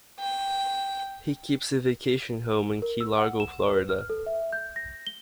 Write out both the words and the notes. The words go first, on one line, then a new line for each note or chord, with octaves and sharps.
He keeps a vacation home in Key Largo, Florida.
G5
A#4
E6
F#5
E7
B4
F6
A4
E5
G6
A#6
G7